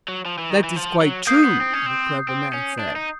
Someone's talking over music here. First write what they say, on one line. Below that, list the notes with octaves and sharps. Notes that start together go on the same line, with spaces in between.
"That is quite true," the clever man said.
F#3
F3
E3
D#3
E3
F3
F#3
A#3 D#6 G6 C7
B3
C4
C#4
C4
C4
C#4
D4
D#4